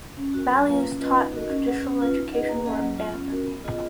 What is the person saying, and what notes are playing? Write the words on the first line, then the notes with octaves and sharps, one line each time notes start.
Values taught in traditional education were abandoned.
C#4
F#4 A#4
F#3
A#3 F4 B4 F5
C#4
F4 B4 D#5
D#4
F#4 A#4 D#5
C#4
G#4 B4 F#5
C#4
F4 B4
D#4
G#4 B4 D#5 F#5
A#3
C#4 G#4 D#5 F#5
F#3
B3 F4
C#4
F#4 A#4
B3
F4 G#4 D#5